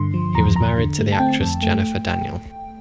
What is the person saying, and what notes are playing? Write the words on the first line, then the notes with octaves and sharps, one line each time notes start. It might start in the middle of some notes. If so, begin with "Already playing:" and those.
He was married to the actress Jennifer Daniel.
Already playing: G2 D3 C6
F3
E2 A#5
E2 A#5
D3
A3
A5
C4 G5
F2
A3